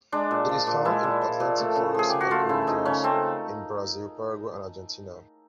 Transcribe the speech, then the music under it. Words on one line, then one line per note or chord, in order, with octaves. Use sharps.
It is found in Atlantic Forest ecoregions, in Brazil, Paraguay and Argentina.
G#3 D4
A#2
F3
A#2
G#3 E4
A#2
F3
A#2
A3
C#3
F3 G#4
C#3 G4
F#4
A3 F4
C#3 E4
F3 D#4
C#3 C#4
A3 C4